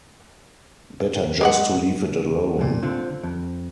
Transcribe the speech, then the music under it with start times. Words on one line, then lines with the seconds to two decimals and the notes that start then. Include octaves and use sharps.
Better just to leave it alone.
1.41 G#3 D5 F#5
2.59 F2 A#2
2.83 D3 C4 F4
3.23 F2